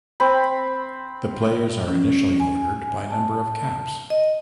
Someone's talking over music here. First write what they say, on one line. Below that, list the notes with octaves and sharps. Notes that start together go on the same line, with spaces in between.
The players are initially ordered by number of caps.
C4 B5
C#4
G#5
A5
D#5